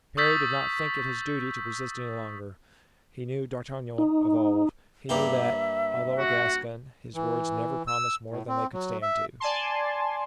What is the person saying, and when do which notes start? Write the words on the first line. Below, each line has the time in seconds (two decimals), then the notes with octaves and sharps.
Parry did not think it his duty to resist any longer; he knew D'Artagnan of old; he knew that, although a Gascon, his words never promised more than they could stand to.
0.17 C#6 D#6 E6 G6 A6 B6
3.98 D#4
5.09 G2 A#3 G4 E5
6.19 F#4
7.14 E3
7.87 E6
8.30 A2
8.48 C4
8.73 F#3
9.02 E5
9.40 D5 G#5 A5 C6